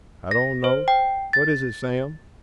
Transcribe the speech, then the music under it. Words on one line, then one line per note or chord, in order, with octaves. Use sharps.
"I don't know,--what is it, Sam?"
A#6
C5
G5
A6